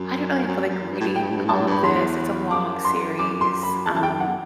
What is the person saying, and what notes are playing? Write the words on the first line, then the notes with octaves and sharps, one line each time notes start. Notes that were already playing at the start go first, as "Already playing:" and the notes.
I don't really feel like reading all of this. It's a long series." Um,
Already playing: F#2
F#2
F#2
G2
A2
G2
A2 G5
G2
A2
G2
A2
G2 A5
A2
G2 B5
E2 C6
F#2 D6
C6
F#2 D6
C6
B5
E2 A5
F#2
A5
E2 G5
F#2
F#5